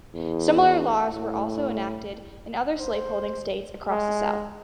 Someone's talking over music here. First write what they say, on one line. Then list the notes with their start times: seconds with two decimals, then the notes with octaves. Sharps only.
Similar laws were also enacted in other slave-holding states across the South.
0.14 E2
1.11 A2
2.79 C5
3.90 G#3